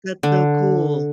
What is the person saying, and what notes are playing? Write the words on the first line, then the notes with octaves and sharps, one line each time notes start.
That's so cool.
D3